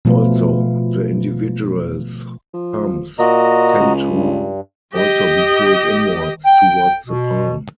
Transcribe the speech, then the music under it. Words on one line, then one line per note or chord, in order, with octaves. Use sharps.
Also, the individual's thumbs tend to also be pulled inwards towards the palm.
B2 F3 A3 F4 B4
F3
A#2 F#4 D#5 A#5
C#2
G2
G4 D#5
G5
B2